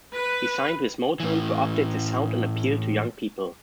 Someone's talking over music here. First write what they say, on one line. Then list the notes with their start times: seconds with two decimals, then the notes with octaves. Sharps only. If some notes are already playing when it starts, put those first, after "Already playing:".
He signed with Motown to update his sound and appeal to young people.
0.14 B4
1.20 A2 E3